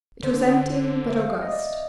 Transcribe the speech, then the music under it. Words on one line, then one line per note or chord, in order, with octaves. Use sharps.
It was empty but august.
D3 C5
E5
F5
D#5
D5